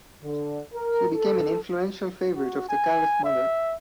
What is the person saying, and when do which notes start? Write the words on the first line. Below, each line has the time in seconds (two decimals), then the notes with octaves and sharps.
She became an influential favorite of the Caliph mother.
0.23 D3
0.74 A#4
1.14 A4
2.34 F#4
2.69 G#5
3.24 E5